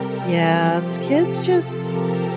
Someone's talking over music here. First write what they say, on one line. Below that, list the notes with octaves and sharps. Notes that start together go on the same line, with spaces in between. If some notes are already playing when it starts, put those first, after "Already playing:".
Yes, kids just
Already playing: C3 G3 G4 A4 A#4
C3 F3 G4
A4
C3 F3 A4
G4 A#4